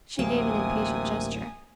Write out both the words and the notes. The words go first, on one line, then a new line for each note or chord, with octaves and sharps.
She gave an impatient gesture.
A1 D2 C3 F#3 A#3 G#5 D#6